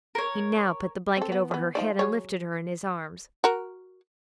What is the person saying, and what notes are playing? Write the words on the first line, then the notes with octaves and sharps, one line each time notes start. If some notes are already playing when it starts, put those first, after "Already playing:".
He now put the blanket over her head and lifted her in his arms.
A#4 C#5
C4 A4
B3
E3 B3
F3 D#4 D5
F#3 G#4 C#5
F#4 A#4